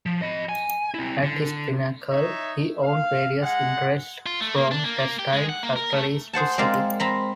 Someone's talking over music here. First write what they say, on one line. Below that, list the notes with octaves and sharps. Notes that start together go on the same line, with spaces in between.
At his pinnacle he owned various interests from textile factories to shipping.
F3
D#5 B5
G#5
C4 E4
D3
D#4 C#5 E5
F5
G#3 F#5
F4
A3
A#3
D4
A#3
A#3
G4
G#3
F#5
A#3
A#4
A3
G#4 C5 F#5 A5
G#3 C4 A#4 D5 F5
C4 A#5 B5